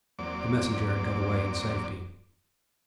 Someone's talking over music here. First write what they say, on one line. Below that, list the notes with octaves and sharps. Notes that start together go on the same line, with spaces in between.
The messenger had got away in safety.
E2 F#3 A#3 C4 D5 D6